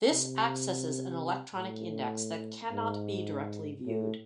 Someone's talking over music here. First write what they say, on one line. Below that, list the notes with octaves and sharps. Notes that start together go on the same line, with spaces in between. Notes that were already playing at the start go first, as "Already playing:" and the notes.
This accesses an electronic index that cannot be directly viewed.
C3
A2
G#2
A2